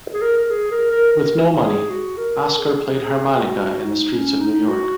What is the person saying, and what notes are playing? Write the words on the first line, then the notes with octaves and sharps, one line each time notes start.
With no money, Oskar played harmonica in the streets of New York.
G#4
A#4
A#4
G#4
A#4
A#4
A#4
G#4
F#4
A#4
G#4
G#4
F#4
D#4
C#4
D#4
F#4